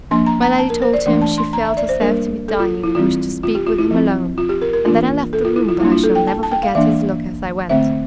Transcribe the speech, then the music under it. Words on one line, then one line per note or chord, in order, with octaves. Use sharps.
My lady told him she felt herself to be dying, and wished to speak with him alone, and then I left the room, but I shall never forget his look as I went.'
F3 A#3 D4 C6
A#5
A#5
A5
A#4
C5
D5
E3 A3 D4 D5
A5
C6
A#5
E5
D5
C5
G3 A#3 D4 A#4
A4
F4
E4
E3 G3 C4 F4
F4
G4
F4
E4
F3 C4
F4
G4
A#4
A#4
E3 A#3 D4 F4
A4
F4
E4
F4
G3 A#3 D4 E4
F4
A4
G5
A5
A5
G5
F5
E3 A#3 D4 E5
D3 A3 C4 E5